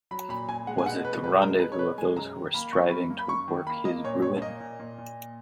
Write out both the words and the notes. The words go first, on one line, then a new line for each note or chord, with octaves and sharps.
Was it the rendezvous of those who were striving to work his ruin.
F#3 B5
A#2 B5
A#2 G#5
G#3 F#5
G#5
B2 F#5
B2 B4
G#3 B4
G#3 A#4
B2 B4
C#5
B2 B4
G#3 G#5
F#2 A#5
D#3
A#3 B5
F#2 C#6
F#2 B5
A#3
B5
F#2 C#6
D#3
A#3 B5
A#3 D#5
A#2 C#5
A#2 C#5
A#3 D#5
A#2
A#2
A#2